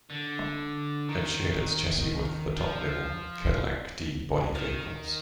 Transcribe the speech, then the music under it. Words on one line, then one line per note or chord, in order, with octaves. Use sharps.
It shared its chassis with the top-level Cadillac D body vehicles.
D3
D#3
F3
D#3